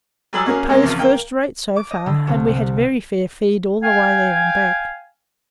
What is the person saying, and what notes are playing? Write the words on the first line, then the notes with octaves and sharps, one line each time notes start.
It pays first-rate so far, and we had very fair feed all the way there and back.'
F#3 G3 G#4 B5 D#6 E6
A#3 C#4 F#4 G#4
C3 G#3 A#3 C4
E2 C#3 F3
A#3 G5
D6
D#5
D3
C2
C3
F5 G5 G#5